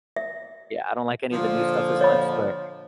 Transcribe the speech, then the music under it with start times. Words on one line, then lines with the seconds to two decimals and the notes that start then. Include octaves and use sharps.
Yeah, I don't like any of the new stuff as much, but,
0.17 E5
1.32 A#2 D3 F3
2.01 C#5 D#5 B5